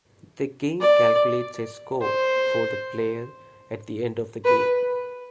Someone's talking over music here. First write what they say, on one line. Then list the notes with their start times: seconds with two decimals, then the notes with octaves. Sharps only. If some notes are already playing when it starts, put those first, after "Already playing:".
The game calculates a score for the player at the end of the game.
0.81 D5
2.02 C5
4.44 B4